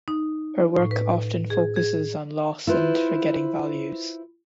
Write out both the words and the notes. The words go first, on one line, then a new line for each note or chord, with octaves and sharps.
Her work often focuses on loss and forgetting values.
D#4
A2
B4
G#4
G#4
E4 F4 B4 C5